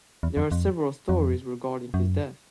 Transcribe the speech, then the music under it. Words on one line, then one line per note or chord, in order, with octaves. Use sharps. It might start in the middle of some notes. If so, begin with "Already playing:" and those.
There are several stories regarding his death.
E2
F2
F2
F2
F#2